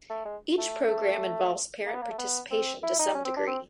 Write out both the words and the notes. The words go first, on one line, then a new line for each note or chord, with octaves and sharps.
Each program involves parent participation to some degree.
A3
G#3
A3
A3
A#3
B3
A#3
A3
B3
C4
E4
D#4
C#4
C4
D4
C4